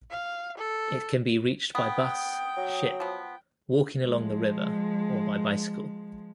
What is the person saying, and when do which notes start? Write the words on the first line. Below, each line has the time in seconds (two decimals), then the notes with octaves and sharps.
It can be reached by bus, ship, walking along the river or by bicycle.
0.11 F5
0.57 A4
1.75 B3 G5 D#6
2.57 F#3
3.00 F3 B3
4.04 F3 G#3